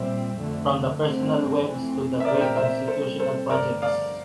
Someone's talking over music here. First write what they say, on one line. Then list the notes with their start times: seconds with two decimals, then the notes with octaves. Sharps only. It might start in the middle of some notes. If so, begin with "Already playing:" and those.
From the personal webs to the great institutional projects.
Already playing: A#2 G3 C4 C5 E5
0.36 F2 D3 A3
1.00 G2 D3 A3 C4
1.62 F2 E3 A3 C4
2.20 E5
2.24 A#2 A3 C4 A#4 D5
2.34 C5
2.41 G4 A#4
2.56 C5 E5
2.88 A#2 G3 C4 A4 C5
3.20 A4 C5
3.51 G2 D3 A3 A#4 D5
3.82 D5 F5